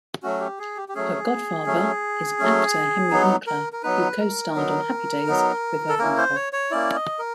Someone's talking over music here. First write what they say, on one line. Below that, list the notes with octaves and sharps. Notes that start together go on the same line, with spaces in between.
Her godfather is actor Henry Winkler, who co-starred on "Happy Days" with her father.
F#3 A3 C#4 F#4
G4
G#4
G4
G4
F#3 A3 C#4 G#4
F#3 A3 C#4
F#3 A3 C#4
F#3 B3 D#4
A#4
A#4
F#3 B3 D#4 B4
A#4
F#3 B3 D#4
F#3 B3 D#4
A4
A#3 C#4 E4 A#4
C5
C#5
C#5
A#3 C#4 E4 D5
D#5
A#4